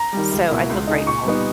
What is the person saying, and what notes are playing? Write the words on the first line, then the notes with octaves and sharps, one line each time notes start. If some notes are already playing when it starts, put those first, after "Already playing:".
So, I feel grateful.
Already playing: A#5
D#3 G3
C#2
B2 A#3 E4
C#2
C#3 G#3 D#4
A#2 C#6
G3 B3 D#4